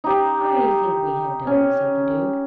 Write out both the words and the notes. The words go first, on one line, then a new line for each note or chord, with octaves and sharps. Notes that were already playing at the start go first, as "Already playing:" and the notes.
"I think we had done," said the Duke.
D#4 G4
C#4